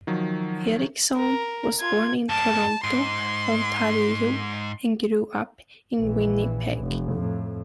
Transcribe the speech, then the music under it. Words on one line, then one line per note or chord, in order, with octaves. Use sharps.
Erikson was born in Toronto, Ontario, and grew up in Winnipeg.
D#3 F3 F#3
A#4
F4 G#6
G2 A#3 A5
G#2 C6
A#1 E3
F1
F2 A2